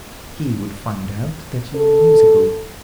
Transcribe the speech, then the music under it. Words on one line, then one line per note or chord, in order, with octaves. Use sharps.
He would find out that you are musical.
A4